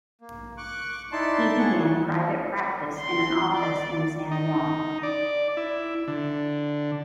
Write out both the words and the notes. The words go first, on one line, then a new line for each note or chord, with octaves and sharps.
He began private practice in an office in San Juan.
A#3
C#6 D6 F#6
D#4 E4 D5 A5 C6
G#4 F#5 C#6
C6
D5
D#4
D5
E4
D3